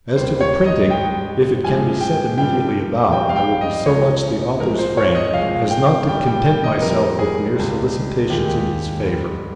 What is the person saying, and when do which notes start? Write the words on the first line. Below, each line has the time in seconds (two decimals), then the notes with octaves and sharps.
As to the printing, if it can be set immediately about, I will be so much the authour's friend, as not to content myself with mere solicitations in his favour.
0.16 D#2 D#3 G3 C5
0.41 C#5
0.66 D#5
0.90 G#2 G3 G5
1.64 G2 F3 G#3 G#5
2.00 G5
2.38 G2 F3 G#3 G5
3.12 F2 C3 G3 G5
3.29 F5
3.36 G5
3.61 D#5
3.86 C#2 C#3 F3 C#5
4.60 G#2 F3 G#3 A#4
4.79 C5
4.97 C#5
5.15 D#5
5.34 C2 C3 F3 G#3 F5
5.70 G5
6.07 G2 G5
6.11 G3
6.26 G5
6.45 G5
6.64 D#5
6.81 F2 C3 G3 A#4
7.19 G#4
7.55 C#2 C3 G3
8.30 D#2 D#3 G#3 G4
9.03 G#2 G3